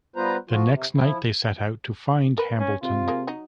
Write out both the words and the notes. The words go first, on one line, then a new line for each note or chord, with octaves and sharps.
The next night they set out to find Hambleton.
G3 B3 F4 B4 C5 A#5
F3 F4 F#4
C3
F3 E4
A#4 B4
C#4
C3 F4
G#3 A#3
F#3 D#4 F#5